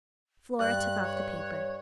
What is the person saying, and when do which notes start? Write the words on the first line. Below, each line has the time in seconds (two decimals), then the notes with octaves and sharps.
Flora took off the paper.
0.59 G2 F#6
1.02 C#5